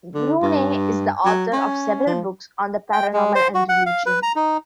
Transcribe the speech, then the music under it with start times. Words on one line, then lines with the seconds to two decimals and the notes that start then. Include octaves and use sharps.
Brune is the author of several books on the paranormal and religion.
0.14 D3
0.43 G2
1.25 F#3
1.53 C#4
2.07 F3
2.93 G5
3.13 G#3
3.35 C5
3.55 F#4
3.69 F#5
3.86 F5
4.06 B4
4.23 A#5
4.36 D#4